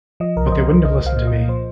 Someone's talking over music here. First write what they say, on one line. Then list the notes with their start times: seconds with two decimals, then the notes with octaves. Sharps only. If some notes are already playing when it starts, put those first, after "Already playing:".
But they wouldn’t have listened to me.
0.20 F3 D#5
0.36 C2 A#4
0.47 C5
0.52 C2 D#5
0.69 C2 C5
0.85 C2 D#5
1.01 C2
1.06 F5
1.16 A#2
1.27 D#5
1.33 A#2
1.48 F3 C5